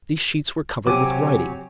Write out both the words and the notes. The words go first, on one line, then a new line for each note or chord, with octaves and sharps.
These sheets were covered with writing.
C3 F#3 C4 G4 C#5 G#5 D6